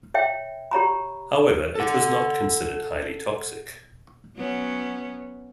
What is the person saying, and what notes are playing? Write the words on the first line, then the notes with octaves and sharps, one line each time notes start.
However, it was not considered highly toxic.
C#5 E5 G5
G4 C#5 A#5 B5
A4 F#5
F#3 B3 C#4